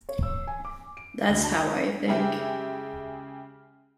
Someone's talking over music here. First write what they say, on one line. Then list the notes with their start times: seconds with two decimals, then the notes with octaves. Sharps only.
That's how I think.
0.09 C#5
0.23 E6
0.47 G#5
0.65 D6
0.97 D7
1.29 D2
1.43 A5
2.07 C#3 G#3 E4 G4